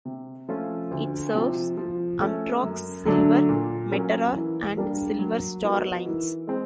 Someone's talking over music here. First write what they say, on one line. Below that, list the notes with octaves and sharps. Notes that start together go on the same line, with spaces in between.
It serves Amtrak's "Silver Meteor" and "Silver Star" lines.
C3
F3 A3 C#4 F4
D2
C3 F3
F3
A3 C#4
F#2
D3 F#3 A3 D4
A#2
F#3 A#3 C#4
E3
G3 A#3 D4
F#3
B3 D#4 F#4 A#4
E3
G#3 C4